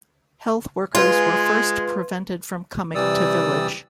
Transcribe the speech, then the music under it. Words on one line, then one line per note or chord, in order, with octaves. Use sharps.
Health workers were first prevented from coming to village.
G#3 F4 B4 G#5 C6
C3 E3 G3 D5 D#6 E6